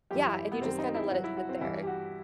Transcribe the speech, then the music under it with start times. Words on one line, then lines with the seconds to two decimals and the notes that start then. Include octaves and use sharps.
Yeah, and you just, kinda let it sit there.
0.11 F#2 E3 G3 G4
0.28 E4
0.52 B3
0.62 F#2 D#3 G3 C4
0.79 D#4
0.95 E4
1.11 G2 F#3 F#4
1.24 E4
1.37 F#4
1.49 C4
1.61 G2 E3 G3 E4
1.83 G4
1.87 F#4